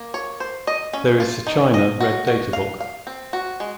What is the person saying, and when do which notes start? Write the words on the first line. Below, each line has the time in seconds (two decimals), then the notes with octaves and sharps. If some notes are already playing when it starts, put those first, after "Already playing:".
There is the China red data book.
Already playing: A#3
0.14 C#5
0.40 C5
0.67 D#5
0.93 C#4
1.20 F4
1.47 D#4
1.74 D#5
2.00 F#4
2.27 F#4
2.53 F5
2.80 F5
3.07 C4
3.33 F#4
3.60 G#3